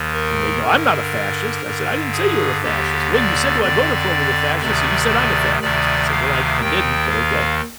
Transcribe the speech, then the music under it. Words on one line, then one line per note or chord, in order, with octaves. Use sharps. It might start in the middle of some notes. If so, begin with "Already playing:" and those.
and they go, "I'm not a fascist." I said, "I didn't say you were a fascist." "Well you said who I voted for was a fascist, so you said I'm a fascist." I said, "Well, I I didn't, but okay.
Already playing: D#2 D#3
A#4
G2 D3 A#4
G2 D3
G#4
D#2 D3 G4
D5
F2 D3 D5
D2 C3 D#3 D5
D2 C3 D#3 D5
F5
D#2 D#3 G5
F5